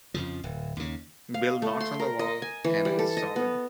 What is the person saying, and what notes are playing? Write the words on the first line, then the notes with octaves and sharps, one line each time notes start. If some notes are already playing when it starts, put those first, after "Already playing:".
Bill knocks on the wall, and it is solid.
F2 C#3 F3
D1
D#2 C#3
F5
A3
C6
A#4
D#5
G#5
E3
G3
A4
D#5
B3